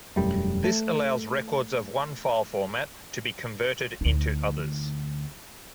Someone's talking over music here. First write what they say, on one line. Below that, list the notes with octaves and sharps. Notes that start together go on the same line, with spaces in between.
This allows records of one file format to be converted into others.
E1 F#2 G3 A3
A3
D2 D#4